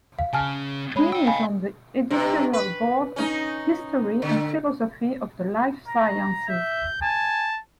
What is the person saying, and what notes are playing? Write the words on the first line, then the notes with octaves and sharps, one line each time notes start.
He is on the editorial board of "History and Philosophy of the Life Sciences".
F5
C#3 C#4 G#5 A5 F6
G#3 C#5 B5
D#5 G5 E6
F5 G#5 B5
G2 C3
B4
C#4 D#4
D3
A#5
E5 G6
G#5 A5